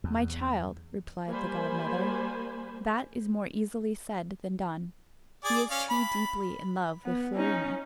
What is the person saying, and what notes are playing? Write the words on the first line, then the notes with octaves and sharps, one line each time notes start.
"My child," replied the godmother, "that is more easily said than done; he is too deeply in love with Florina."
E2
G3 A#3 C5 G#5 B5
G#4 D5 D6
C#4 F5
B5
B3
C#4 D#4